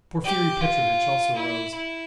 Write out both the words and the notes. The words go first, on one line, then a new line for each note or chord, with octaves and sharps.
Porfiry Petrovitch also rose.
G4
F4
E4
E4